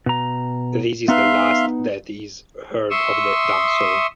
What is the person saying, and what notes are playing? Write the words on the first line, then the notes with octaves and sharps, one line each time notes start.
This is the last that is heard of the Damsel.
B2 A#5
B3 D#4 B4 E5 F5 C6
E5 C6 C#6 D#6 E6